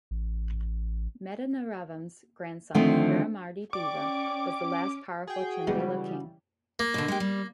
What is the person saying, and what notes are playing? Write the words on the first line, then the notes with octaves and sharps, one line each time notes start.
Madanavarman's grandson Paramardi-deva was the last powerful Chandela king.
A1
D3 D#3 F3 A3 C4 C5
C#4 D5 G5 C#6 D6
F#4 G#4 G5
B1 C#3 E3 G3 G#3 B3
A#3
B2 D3
G#3 G4
G3